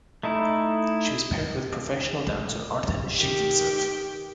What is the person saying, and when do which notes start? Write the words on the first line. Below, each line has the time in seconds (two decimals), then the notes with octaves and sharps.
She was paired with professional dancer Artem Chigvintsev.
0.23 A3 D#4 E4
3.16 D#3 G4